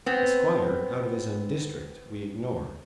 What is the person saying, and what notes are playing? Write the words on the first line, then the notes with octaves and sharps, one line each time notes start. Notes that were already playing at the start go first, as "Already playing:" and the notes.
The Squire, out of his own district, we ignore.
B3 C4